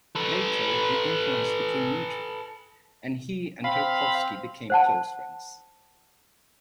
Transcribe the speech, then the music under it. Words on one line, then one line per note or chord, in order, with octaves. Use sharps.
Later the influence became mutual, and he and Tarkovsky became close friends.
A4 B4
C4 F5 B5
C5 F#5 A5